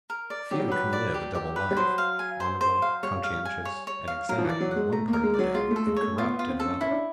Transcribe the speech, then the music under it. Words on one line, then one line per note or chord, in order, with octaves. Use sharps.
Few can live a double life--honorable, conscientious, and exact in one part of the day, and corrupt in another.
A#4
D5
F#3 G4
G3
F#3 B4
D5
G4
G4
B4
G3
F#3 C5
F5
G#5
C5
C5
F5
G3 C#5
F5
G#5
C#5
C#5
F5
F#3 A#4
F3
E3 D5
F#3
G#3 F#5
A3 A#5
A#3
A#4
G#3
D5
F#3
G#3 F4
A#3
A3
A4
G#3
C#5
A3
B3 F4
B3
F4
C4
A4
C#4
C#4 E4
D4